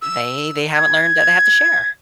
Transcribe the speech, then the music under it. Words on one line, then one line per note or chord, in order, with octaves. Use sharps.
they they haven't learned that they have to share!
E6
G#6